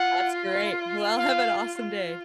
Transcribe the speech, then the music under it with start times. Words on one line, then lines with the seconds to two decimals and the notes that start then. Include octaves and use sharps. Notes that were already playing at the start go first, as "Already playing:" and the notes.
That's great. Well, have an awesome day.
Already playing: F4 F#5
1.18 F5
1.80 F4